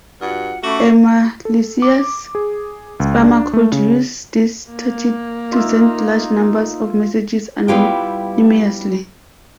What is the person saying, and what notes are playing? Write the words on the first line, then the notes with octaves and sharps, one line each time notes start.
A malicious spammer could use this tactic to send large numbers of messages anonymously.
G2 F4 F#4 F#5
A3 C#4 F#4 B5 D6
A4
D6
G#4
C#2
D4
A3
C#3
A#3
D#4 F4 E5
G3 B3 E4 F4 G4 G5